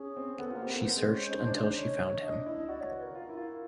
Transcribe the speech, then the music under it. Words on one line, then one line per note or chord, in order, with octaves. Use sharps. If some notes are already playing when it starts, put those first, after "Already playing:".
She searched until she found him.
Already playing: C#4 G#4
C4
B3 A4
A#3 F4
C4 G4
B3 A4
B4
C4 C5
G#3
C#4
D#4
D4
D#4
C#5
D4 D#5
E4
F#4 D5
C#5
B4
A#4
F4
E4
F4